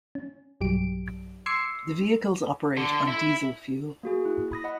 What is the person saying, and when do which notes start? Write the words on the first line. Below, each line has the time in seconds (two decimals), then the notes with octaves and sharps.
The vehicles operate on diesel fuel.
0.15 C#4
0.61 B1 G2 F#3 G4 D7
1.46 C6 D6 E6 G#6 C7 C#7
2.77 D3
3.08 E4
4.03 A#3 F#4 G#4
4.25 E4
4.52 B5 D#6 A#6
4.64 D#5 F#5 B5